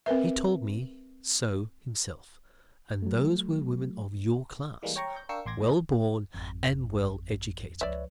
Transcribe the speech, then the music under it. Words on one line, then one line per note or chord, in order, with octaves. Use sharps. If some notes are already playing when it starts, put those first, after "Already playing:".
He told me so himself, and those were women of your class, well born and well educated.
C4 A#4 B4 E5
F#3 A3
E3 G3 G#3 A#3
C#5 G5 A#5 C#6
G6
D4 A#4 F5 G5 C#6 E6
A1 C6 D6 G#6 A#6
G#1 A#2 D#4 D#5
G#1 F2
C#2 F3 B4 C#5 D5 E5